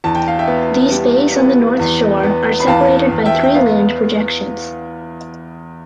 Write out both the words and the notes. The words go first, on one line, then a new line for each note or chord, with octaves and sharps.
These bays on the north shore are separated by three land projections.
E2 A5
G5
F5
E5 G5
B3
G3
B3
E2
B3
B5
E2 F5 A5
E2
E5 G5
G5
B3 F5